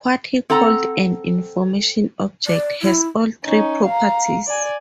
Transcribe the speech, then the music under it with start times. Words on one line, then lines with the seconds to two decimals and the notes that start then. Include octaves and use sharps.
What he called an "information object" has all three properties.
0.50 C4 A4 F#5 A#5
2.47 D5
2.82 E4
3.45 C#4 D#4
3.86 F5 A#5
4.48 D5 G#5